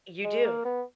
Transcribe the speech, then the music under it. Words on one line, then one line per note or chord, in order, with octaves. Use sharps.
You do.
G#3
A#3
B3